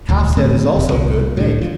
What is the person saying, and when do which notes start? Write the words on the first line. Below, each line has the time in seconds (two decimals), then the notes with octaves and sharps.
Calf's head is also good, baked.
0.09 D#1 D2
0.37 A2 D3 A3 C4
0.76 D#1 C3
0.92 C2
1.37 A2 D3
1.61 F3